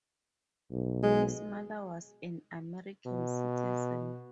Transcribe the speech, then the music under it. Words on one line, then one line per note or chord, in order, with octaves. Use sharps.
His mother was an American citizen.
B1
G#3
B2